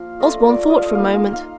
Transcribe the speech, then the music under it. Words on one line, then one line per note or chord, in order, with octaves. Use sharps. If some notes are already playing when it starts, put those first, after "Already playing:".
Osborne thought for a moment.
Already playing: F3 A#3 F5
A3 D4 F4 D#5
D5
D#5
F5
D#5
A#3 D#4 F5
F5
F5